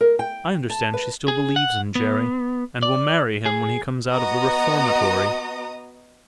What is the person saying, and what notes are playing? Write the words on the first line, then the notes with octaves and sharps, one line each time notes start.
I understand she still believes in Jerry and will marry him when he comes out of the reformatory.
A#4
G5
A5
B4
G#4
F#5
B3
D5
G#4
B3 F#4 D#5 A#5 D#6